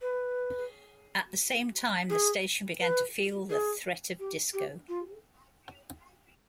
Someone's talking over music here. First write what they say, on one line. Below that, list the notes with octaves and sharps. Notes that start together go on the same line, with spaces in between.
At the same time, the station began to feel the threat of disco.
B4
G#4
B4
G#4
G4
G4
F4